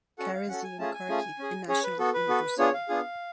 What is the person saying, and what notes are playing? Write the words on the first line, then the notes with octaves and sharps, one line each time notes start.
Karazin Kharkiv National University.
C#4 F#4 A4 F#5
F5
C#4 F#4 A4 F#5
G#5
A3 C#4 F4 G#4 A5
G#5
A3 C#4 F4 G#4
C#4 G#4
C#4 G#4 C#5
B4
B3 F#4 A4
B4
B3 F#4 A4
B3 D4 F4 G#4 C#5
F5
B3 D4 F4 G#4